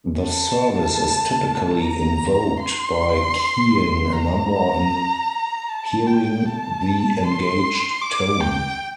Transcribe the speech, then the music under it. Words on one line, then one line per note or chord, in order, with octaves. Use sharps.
The service is typically invoked by keying a number on hearing the engaged tone.
A5
A#5
C6
A#5
A5
G5
A5
C6
D6
G5